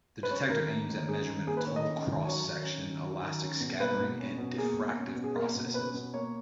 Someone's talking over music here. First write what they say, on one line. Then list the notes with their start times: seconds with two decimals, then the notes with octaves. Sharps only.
The detector aims at measurement of total cross section, elastic scattering, and diffractive processes.
0.23 B4
0.31 C#4 C#5
0.50 D#3 A#4
0.70 A#3
0.89 D#3
1.09 C#4 G#4
1.28 D#3
1.47 A#3 G#4
1.57 B4
1.67 D#3 C#5
1.76 D#5
1.86 C#4
2.06 D#3
2.25 F#3 C#5
2.44 D#3
2.64 C#4
2.83 D#3
3.03 F#3
3.22 D#3
3.41 C#4
3.60 B2
3.80 A#3 B4
3.99 B2
4.20 C#4
4.38 B2
4.58 A#3 G#4
4.77 B2
4.97 C#4
5.16 B2
5.24 G#4
5.35 A#3 A#4
5.55 B2
5.74 C#4 B4
5.94 B2
6.14 A#3 C#5